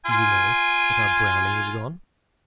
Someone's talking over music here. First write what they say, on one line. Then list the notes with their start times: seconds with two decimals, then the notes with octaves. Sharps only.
Do you know that our Browning is gone?
0.06 F4 G#5